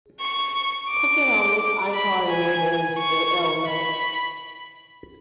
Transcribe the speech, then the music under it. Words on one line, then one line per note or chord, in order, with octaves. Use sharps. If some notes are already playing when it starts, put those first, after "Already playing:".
Clicking on this icon enables the element.
C#6
D6
B5
G#5
C#6
B5